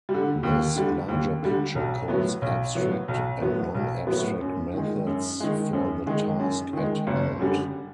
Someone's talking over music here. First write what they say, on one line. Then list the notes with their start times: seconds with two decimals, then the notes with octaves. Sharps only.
This larger picture calls abstract and non-abstract methods for the task at hand.
0.09 G3
0.14 D3
0.43 D#2
0.76 D3 G3
1.08 D#2
1.42 D3 G3
1.75 B1
2.08 A2 F#3 B3
2.42 B1
2.75 A2 F#3 B3
3.08 B1
3.41 A2 F#3 B3
3.75 B1
4.07 A2 F#3 B3
4.41 F#2
4.74 D#3 G#3
5.07 F#2
5.40 D#3 G#3
5.73 F#2
6.06 D#3 G#3
6.39 F#2
6.73 D#3 G#3
7.07 F#1
7.39 F#2 D3 G3